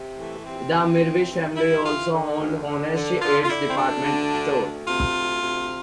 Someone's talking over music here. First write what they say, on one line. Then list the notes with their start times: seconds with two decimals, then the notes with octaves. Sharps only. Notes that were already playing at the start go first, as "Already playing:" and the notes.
The Mirvish family also owned Honest Ed's department store.
Already playing: C3
0.17 E3 A3
0.45 C3 C4
0.73 E3
1.00 E3
1.28 G2
1.56 G2 E4
1.83 E3 F4
2.11 D3
2.39 D2
2.66 D3
2.94 D3
3.21 D3 F4
3.42 F4
3.49 D3 E4
3.69 C4
3.76 D2 D4
4.04 D3
4.32 D2
4.60 D2
4.87 C3 F4
5.15 D2
5.42 C3